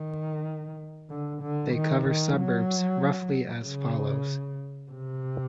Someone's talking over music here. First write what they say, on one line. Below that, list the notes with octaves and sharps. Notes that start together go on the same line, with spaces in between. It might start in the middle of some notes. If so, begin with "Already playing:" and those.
They cover suburbs roughly as follows.
Already playing: D#3
D3
D3
D#3
D#3
F#3
C#3
C3